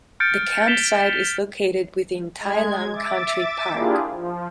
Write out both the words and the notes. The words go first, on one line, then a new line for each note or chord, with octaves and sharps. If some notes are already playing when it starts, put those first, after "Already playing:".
The campsite is located within Tai Lam Country Park.
F6 G6 A6 C#7 D7
G6 A6 B6 E7 F7 G7
G#3 G#6
E5 D6 A6
A#3 D4 E4 F4 G4 G#4
F3